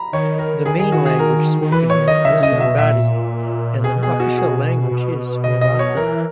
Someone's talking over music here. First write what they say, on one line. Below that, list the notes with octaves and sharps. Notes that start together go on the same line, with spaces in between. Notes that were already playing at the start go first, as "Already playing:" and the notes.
The main language spoken here is Lambadi and the official language is Marathi.
Already playing: A#5 B5
D#3 C#5
A#4
D#3 G#4
G#4
F#4
G#4
A#4
D#3
E3 B4
C#5
D#3
D#5
C#3 E5
D#3
C#3 D#5
B2
E5
A#2 E5
B2 G#4
G#4
F#4
G#4
B2
D#5
D#5
C#5
E3 A#4